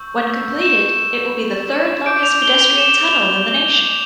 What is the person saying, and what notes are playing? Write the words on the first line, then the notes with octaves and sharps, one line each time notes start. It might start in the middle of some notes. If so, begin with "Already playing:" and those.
When completed, it will be the third-longest pedestrian tunnel in the nation.
Already playing: C#6 E6 G6
E7
D6 G6 D7
F7
G7
G7
F7
E7
F7
G7
F7